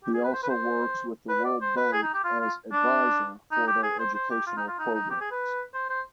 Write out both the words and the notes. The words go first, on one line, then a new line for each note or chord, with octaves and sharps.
He also works with the World Bank as Advisor for their educational programs.
G4
G#4
B4
C5
B4
C5
B4
D5
C5
B4
G#4
D#4
G4
F4
F4
D4
D#4
G4
G#4
C5
C5
G4
F4
D#4
F4
D#4
D#4
G4
G#4
B4
C5
C5